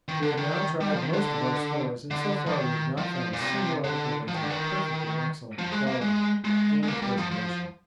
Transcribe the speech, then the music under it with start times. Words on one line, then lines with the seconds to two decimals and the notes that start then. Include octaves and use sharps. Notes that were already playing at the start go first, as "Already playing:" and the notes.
'We have now tried most of our stores, and so far we have not found a single article that is not perfectly excellent in quality and preservation.
0.08 D#3
0.22 D3
0.37 D#3
0.81 G3
0.91 F3
1.02 D#3
1.13 D3
2.11 D3
2.47 F3
2.54 D#3
2.98 F3
3.33 A#2
3.41 C3
3.84 D3
4.28 F3
4.34 D#3
4.43 D3
4.50 D#3
5.58 F3
5.72 G#3
5.87 A#3
6.01 G#3
6.44 G#3
6.83 G#3
6.88 A#3
7.02 G3
7.18 F3
7.31 F3